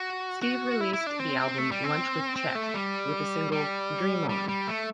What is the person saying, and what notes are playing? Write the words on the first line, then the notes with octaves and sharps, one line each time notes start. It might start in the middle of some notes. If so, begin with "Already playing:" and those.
Steve released the album "Lunch With Chet" with the single "Dream On".
Already playing: F#4
F#4
E4
E4
D4
C4
A3
G3
C4
C4
A3
G3
G3
G3
G3
A3